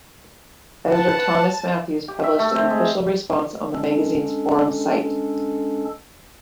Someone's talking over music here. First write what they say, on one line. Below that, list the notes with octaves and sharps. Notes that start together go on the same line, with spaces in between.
Editor Thomas Matthews published an official response on the magazine's forum site.
B4 F#5 A5
G4
E5
A3
C4
G#3
G#3 C#4 D4 A4